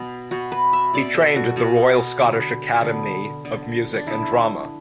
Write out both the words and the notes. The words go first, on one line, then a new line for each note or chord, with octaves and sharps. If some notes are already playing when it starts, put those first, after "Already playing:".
He trained at the Royal Scottish Academy of Music and Drama.
Already playing: B2 B3
B2 B3 F#4
B4
E5
B2 B3 D5
A4
F#4
B2 B3 F#4
D3 B3
D3 B3
D3 B3
D4
D3 B3 E4